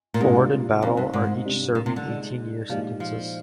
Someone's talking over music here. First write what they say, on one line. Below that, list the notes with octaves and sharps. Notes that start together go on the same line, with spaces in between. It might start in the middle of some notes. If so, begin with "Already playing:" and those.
Ford and Battle are each serving eighteen-year sentences.
A#2
G#2 C3 G3 A#3 D4 F4
F2 C4 D#4 A#4 F5
G2
G#2
C3 G3 D4 G4
A#2
C3
D3
G#3 D#4 G#4 D5
A#2 F3 G#3 D#4 G4 D5
F3